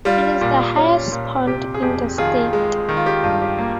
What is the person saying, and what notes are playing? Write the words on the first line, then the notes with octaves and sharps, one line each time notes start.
It is the highest pond in the state.
G3 F4
A#2
C#4
A#2
C3 G4
G#4
F2 G4
D#3 F4 G#4
G#3
D#3
F4
G4
G2 F4
G4
A#3